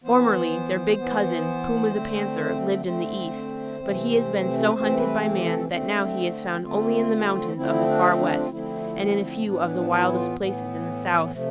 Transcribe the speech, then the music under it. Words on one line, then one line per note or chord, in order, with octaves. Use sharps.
Formerly, their big cousin, Puma the Panther, lived in the East, but he has been so hunted by man that now he is found only in the mountains of the Far West and in a few of the wildest places in the South.
E3 B3 C5
E3 B3
D3 A3 C4
D3 A3 C4 C5
C3 E3 A3 C4
A4
B4
C3 E3 A3 C4 C5
B4
G4
A4
D3 A3 C4
D3 A3 C4 F4
D3 F3 A3 C4 E4
D4
D4
F4
D3 F3 A3 C4 E4
A2 E3 B3 D4
F4
E4
F4
A2 E3 B3
C3 F3 A3